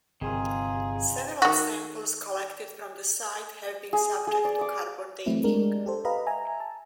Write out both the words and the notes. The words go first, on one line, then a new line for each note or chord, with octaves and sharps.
Several samples collected from the site have been subject to carbon dating.
G1 C3 D#3 C4 F4 G#4
D#3 F#4
G#4
G#4
D5
D6
E3 F#3 A3 C4 E4
G#3 D4 G4 A#4
G4 A4 C5
G4 B4 D#5 F5 A#5 B5
E5 G#5 A#5
A5